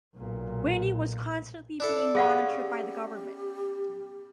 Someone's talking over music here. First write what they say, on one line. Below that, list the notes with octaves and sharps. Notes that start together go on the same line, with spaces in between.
Winnie was constantly being monitored by the government.
B1 A#2
D4 E4 A4
B3 C#4 G4 G#4 F5 F#5